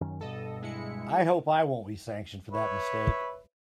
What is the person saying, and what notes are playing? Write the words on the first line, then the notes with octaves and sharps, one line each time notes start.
I hope I won't be sanctioned for that mistake.
F#2 D#3 C#4
G2 B2 A4 D#5
G#3 E4 C#7
B4 C#5 E5